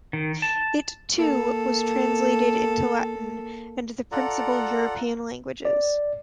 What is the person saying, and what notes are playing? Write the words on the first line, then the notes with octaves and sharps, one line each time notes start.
It, too, was translated into Latin and the principal European languages.
D#3
A5
A#3 A4
F4 A4 D5 F#5 A#5
D5